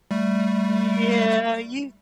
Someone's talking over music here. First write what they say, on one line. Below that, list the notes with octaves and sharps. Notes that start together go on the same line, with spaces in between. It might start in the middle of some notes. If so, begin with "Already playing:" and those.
Yeah, you
G3 A3